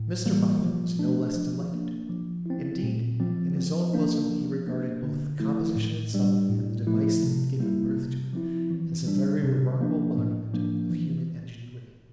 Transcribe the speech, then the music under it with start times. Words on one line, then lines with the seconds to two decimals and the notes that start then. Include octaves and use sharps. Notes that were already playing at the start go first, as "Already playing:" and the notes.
Mr Boffin was no less delighted; indeed, in his own bosom, he regarded both the composition itself and the device that had given birth to it, as a very remarkable monument of human ingenuity.
Already playing: A2
0.26 E3 G3 A#3
0.63 F3
0.99 A3 D4
1.36 F3
1.73 A#3 D4
2.09 F3
2.46 C4 E4
2.83 A#2
3.20 F3 C4
3.56 F3
3.93 A#3 D4
4.30 F3
4.66 A#3 D4
5.03 D3
5.40 F3 A3 E4
5.76 A2
6.14 G3 D4
6.50 A2
6.87 F3 A3 E4
7.23 C3
7.60 G3 A#3 E4
7.96 C3
8.33 F3 C4 E4
8.70 E3
9.06 G3 D4
9.43 C3
9.80 F3 A#3 D4
10.17 A2
10.54 F3 A#3 D4
10.90 E3